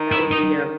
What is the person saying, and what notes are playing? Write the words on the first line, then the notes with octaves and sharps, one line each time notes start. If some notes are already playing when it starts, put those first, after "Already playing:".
that would be a
Already playing: D#3
E4
D#4